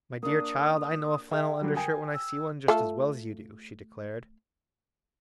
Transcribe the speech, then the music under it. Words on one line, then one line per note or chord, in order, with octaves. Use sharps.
"My dear child, I know a flannel undershirt when I see one, just as well as you do," she declared.
A#3 D4 D#6
G#4 E5 G5
D3 F#3 G3
A#4 G5 G#5 D#6
E6
A3 F4 A4